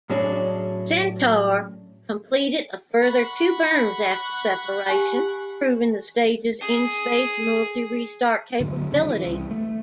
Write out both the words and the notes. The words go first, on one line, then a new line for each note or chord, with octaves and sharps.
Centaur completed a further two burns after separation, proving the stage's in-space multi-restart capability.
A2 F#3 C#4 D4 G#4
F#5 B5 C#6
G4 G#5
G#4
D2 G#2 D3 F#3
F1 C#3
E3 F#3
C2
A3